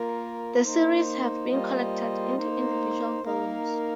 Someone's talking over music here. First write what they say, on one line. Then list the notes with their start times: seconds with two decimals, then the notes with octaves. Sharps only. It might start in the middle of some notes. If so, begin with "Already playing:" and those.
The series has been collected into individual volumes.
Already playing: A#3 F4 A#4
0.63 A#3 D#4 C5
1.49 G3 A#3 F4 C5 D#5
2.36 A#3 D#4 C5
3.23 A#3 D#4 A#4 F5